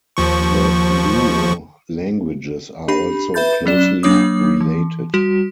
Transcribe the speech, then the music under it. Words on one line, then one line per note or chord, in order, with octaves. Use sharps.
The Luo languages are also closely related.
D#2 F3 C#6
D4 G4 B5
B4 E5 B5 G6 A6
F#3 C#4 D5 E7
F#3 A#3 D4 C#5 D6 D#6
E3
G3 F#4